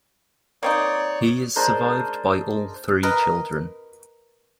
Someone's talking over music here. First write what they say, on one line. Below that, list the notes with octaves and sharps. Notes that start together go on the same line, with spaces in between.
He is survived by all three children.
A#3 C4 D#4 C#5 D5
G#3 D4 A#4 C5
A#4 B4 D#5